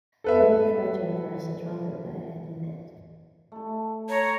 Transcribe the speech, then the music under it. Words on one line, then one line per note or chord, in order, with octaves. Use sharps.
Don't try to impress the trumpet player in the pit.
A4 B4 E5
A3 A4
C#5 A#5